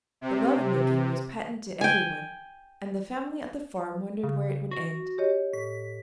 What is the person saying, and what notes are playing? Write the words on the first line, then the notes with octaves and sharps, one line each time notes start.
The love-making was patent to every one, and the family at the farm wondered where it would end.
C3
G5 G#5
C#3
F#4
G4 C#5 D#5
A2 B6